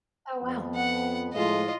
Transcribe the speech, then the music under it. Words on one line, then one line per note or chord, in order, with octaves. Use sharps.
Oh, wow.
F2 B3
F#5
A2 F3 G#3 F4 D#5